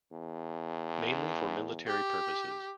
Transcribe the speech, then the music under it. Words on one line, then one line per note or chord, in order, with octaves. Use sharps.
Mainly for military purposes.
E2
G4